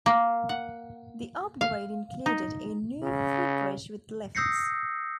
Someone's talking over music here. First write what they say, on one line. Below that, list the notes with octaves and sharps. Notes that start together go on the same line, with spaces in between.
The upgrade included a new footbridge with lifts.
A#3
F#5
F5
D#4
C#3
D#6 E6 G6 A#6 C7 C#7